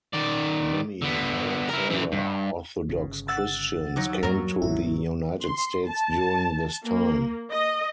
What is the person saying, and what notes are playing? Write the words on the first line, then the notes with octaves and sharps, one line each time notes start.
Many Malankara Orthodox Christians came to the United States during this time.
D#3 D5
D3 B3
E4 A#4
F#2 E3
G2
G1 C#3
F#5 E6 A6
D#2 F#3 D#4
E2 G2 F#3 A#3 A#4
G#1 G#2 C#3 E4
C6
A5
A#3
D#5